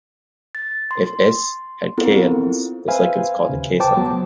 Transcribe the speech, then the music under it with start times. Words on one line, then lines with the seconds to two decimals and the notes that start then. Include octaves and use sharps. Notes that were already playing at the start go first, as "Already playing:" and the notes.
If "S" has "k" elements, the cycle is called a "k"-cycle.
0.55 A6
0.91 C6
1.98 B3 C4 E4 F4 A4 A#4
2.31 C4
2.88 B4 C5 E5 F5 G#5
3.50 D#2 C#3
3.80 B4 C5 G5 A5 D6
3.97 F#3 B3